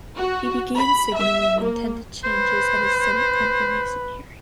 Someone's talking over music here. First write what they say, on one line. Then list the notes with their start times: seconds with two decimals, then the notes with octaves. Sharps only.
He began signaling intended changes at his Senate confirmation hearing.
0.17 F#4
0.77 B5
1.16 E5
1.61 A#3
2.24 B4 C5